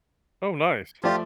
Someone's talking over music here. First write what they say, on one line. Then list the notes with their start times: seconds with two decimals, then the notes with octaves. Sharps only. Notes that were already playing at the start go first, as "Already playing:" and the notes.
Oh, nice.
1.04 F3 A3 F4 G4 D5